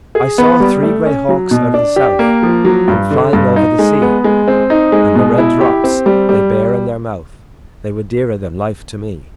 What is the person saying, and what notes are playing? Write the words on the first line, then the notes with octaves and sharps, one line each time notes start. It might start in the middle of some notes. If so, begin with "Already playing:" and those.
I saw three grey hawks out of the South Come flying over the sea, And the red drops they bare in their mouth They were dearer than life to me.
G#4
B3
G3
A3
C#4
F#3
B2
D4
G4
A#3
F3
F#3
G2
D3
G2
D#4
G#3
B3
G#3
C4
D#4
G#3
B2
E4
G4
C4
G3
G3